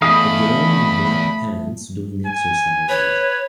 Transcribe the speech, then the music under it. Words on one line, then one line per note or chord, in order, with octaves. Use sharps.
A girl in black pants doing exercises.
E2 A3 D#5 F5 B5 D#6
G#5
B4 C#5